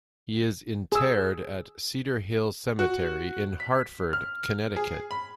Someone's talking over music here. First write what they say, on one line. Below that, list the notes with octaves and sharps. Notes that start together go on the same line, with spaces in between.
He is interred at Cedar Hill Cemetery in Hartford, Connecticut.
G#4 E6
F#4
B6
F6
G#4
B5